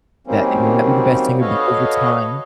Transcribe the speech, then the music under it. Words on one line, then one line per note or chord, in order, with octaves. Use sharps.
that they may not be the best singer, but over time,
D#3 F#3 G3 A#3 C4 C#4
F#4 A4 B4 C#5 D#5 F5